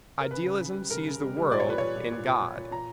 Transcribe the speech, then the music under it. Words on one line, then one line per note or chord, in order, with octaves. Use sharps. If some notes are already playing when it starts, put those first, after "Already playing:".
Idealism sees the world in God.
A#4
C#3 B4
C#3
C#3
G3
C#3 A#4
C#3
G3
G3
A#2 D5
C#5
A#2 B4
A#2 C#5
A#2
A#2
A#2
A#2
A#2
A#2 A#5